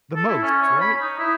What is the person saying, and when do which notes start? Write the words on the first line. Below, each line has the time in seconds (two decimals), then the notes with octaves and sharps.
The most, right?
0.16 A4
0.28 E4
0.43 C#4
0.62 C#5
0.80 B5
1.01 D#4
1.19 E4